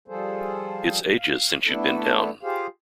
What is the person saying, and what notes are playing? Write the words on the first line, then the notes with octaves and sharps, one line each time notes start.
It’s ages since you’ve been down.
F3 G3 F4 G#4 A4 C5
F5
A3 B3 D4 E4 A4
F4 G4 G#4 C5 F5